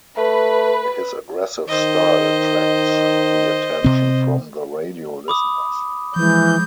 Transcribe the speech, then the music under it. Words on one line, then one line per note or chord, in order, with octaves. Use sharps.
His aggressive style attracts the attention from the radio listeners.
A3 B4
D#3 C5 D#5
C3 C4
B5 D6 D#6
E3 F3 G#3 G6